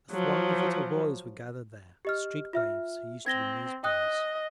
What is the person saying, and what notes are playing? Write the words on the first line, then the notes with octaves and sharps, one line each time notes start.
A throng of little boys were gathered there--street waifs who used to be newsboys.
F3 F#3
G4 D#5 F6
F4 E5 F6
C4 G#6 A#6 G7
D#5 G5 D#6 F#6